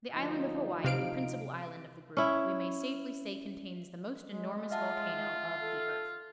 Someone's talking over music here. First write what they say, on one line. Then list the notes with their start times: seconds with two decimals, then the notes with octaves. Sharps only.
The Island of Hawaii, the principal island of the group, we may safely say contains the most enormous volcano of the earth.
0.15 D2 F3 D#4
0.84 C3 F5 D7
2.17 C#4 E4
4.24 G#3
4.71 F4 E5 F#5 A5
5.61 A4